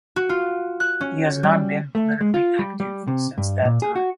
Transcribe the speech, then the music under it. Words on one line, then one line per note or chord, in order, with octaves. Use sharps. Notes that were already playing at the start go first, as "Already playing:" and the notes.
He has not been politically active since that time.
F#4
F4
F#6
C#4
G3
A3
G#3
F4
G3
G3
C3
G2
A#2
G#4
F#4